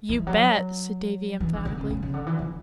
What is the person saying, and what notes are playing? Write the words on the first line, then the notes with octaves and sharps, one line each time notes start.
"You bet!" said Davy emphatically.
E3
F#3
E3
D3
D3
C#3
C#3
C#3
D3
E3
D3